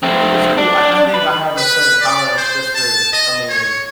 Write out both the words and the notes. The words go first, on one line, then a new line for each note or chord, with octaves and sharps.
is is cool. I I think I have a certain tolerance just for I mean
A3 C4
D4
B4
B4
D5
C5
A5
D#5
C#5